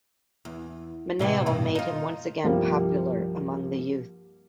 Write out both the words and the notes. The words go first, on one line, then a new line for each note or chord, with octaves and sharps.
Minnale made him once again popular among the youth.
E2
A2 C3 E3
G2 B2
D#4 F4
C2 G2 F3 G3 A#3